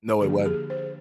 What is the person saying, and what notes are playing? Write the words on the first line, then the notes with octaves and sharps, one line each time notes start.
No, it wasn't.
D3 F3 A#3 D4 G#4
G4
G#4
C5